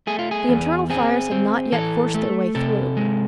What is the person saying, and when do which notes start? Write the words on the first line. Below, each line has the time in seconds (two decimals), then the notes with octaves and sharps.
The internal fires had not yet forced their way through.
0.07 A3 G#4
0.19 F4
0.31 G#4
0.49 E2
0.90 C4 G#4
1.32 C4
1.72 E3 A4
2.14 A3
2.55 C3 A4
2.97 G#3